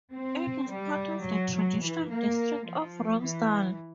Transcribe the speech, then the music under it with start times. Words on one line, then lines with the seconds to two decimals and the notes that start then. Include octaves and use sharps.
It is part of the traditional district of Romsdal.
0.12 C4
0.68 G3
1.25 F#3
1.53 F#3
1.81 E3
2.09 A#3
2.66 F3
3.21 E3